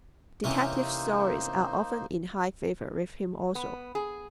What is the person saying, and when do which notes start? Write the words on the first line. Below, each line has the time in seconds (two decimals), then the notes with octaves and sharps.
Detective stories are often in high favor with him also.
0.44 C3 E3 A#3 C#4 D#4 C5
3.55 B3
3.95 G#4